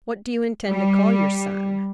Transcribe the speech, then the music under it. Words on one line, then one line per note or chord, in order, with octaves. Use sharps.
"What do you intend to call your son?"
G3